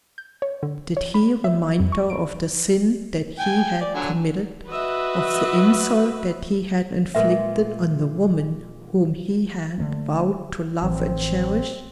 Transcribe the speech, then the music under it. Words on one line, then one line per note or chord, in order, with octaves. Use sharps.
Did he remind her of the sin that he had committed?--of the insult that he had inflicted on the woman whom he had vowed to love and cherish?
G6
C#5
D3
C#5
B5
E5
F2
C#6
D7
G5 G#5
D5
D3 F#3 G#5
F#4 B4 D#5 E5
A#2 G#3 A#4 B4 E5
D3 F#3 A3 A#3
A1 E3 F3 C4